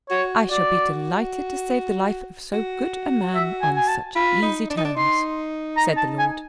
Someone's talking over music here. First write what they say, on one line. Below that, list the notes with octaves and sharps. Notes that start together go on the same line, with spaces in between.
"I shall be delighted to save the life of so good a man on such easy terms," said the lord.
F#4 C#5
F#4 D5
F#4
E5
G#5
G#5
A5
F4 B5
D#4
D4
D#4
D4
D#4 C6
A#5
A5
G#5